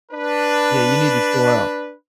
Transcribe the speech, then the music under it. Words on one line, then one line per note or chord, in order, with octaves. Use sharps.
Yeah, you need to chill out.
D4 B4